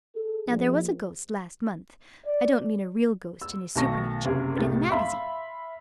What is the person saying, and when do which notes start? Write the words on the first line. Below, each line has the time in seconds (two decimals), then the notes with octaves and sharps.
Now there was a Ghost last month--I don't mean a real Ghost in in Supernature--but in a Magazine.
0.15 G#4 A4
0.48 A#1
2.25 D5
3.41 E6
3.76 B1 D#3 A3 A5 C#6 A#6
4.25 F#1 C3 G#4 A#4
4.58 C2 A2 D#4 G4 A6
4.90 E5 F5 B5 C6